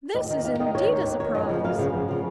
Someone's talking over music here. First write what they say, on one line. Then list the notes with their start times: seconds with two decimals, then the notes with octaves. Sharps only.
"This is indeed a surprise!"
0.14 D#2 D#5
0.30 D#3
0.44 D#2 F5
0.60 D#3 D#5
0.75 D#2 C#5
0.90 D#3
1.05 D#2
1.20 D#3 C#5
1.35 F#2 D#5
1.49 C#3 F3
1.64 F#2 F5
1.79 C#3 F3
1.94 F#2
2.08 C#3 F3